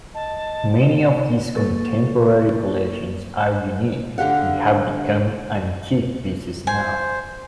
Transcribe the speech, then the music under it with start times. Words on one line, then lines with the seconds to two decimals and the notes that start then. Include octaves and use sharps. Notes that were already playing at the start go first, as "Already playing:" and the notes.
Many of his contemporary collections are unique and have become antique pieces now.
0.14 D#5 A5
1.56 A#3 A4 B4 C#6 A6
4.18 D3 G4 F5 F#5
6.67 C5 G#5